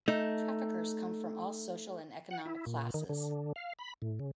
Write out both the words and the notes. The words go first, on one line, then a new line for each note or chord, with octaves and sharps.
Traffickers come from all social and economic classes.
A3 D#4
F#5
E4
A#2
D#3
D3
F5
B5
A2
C#3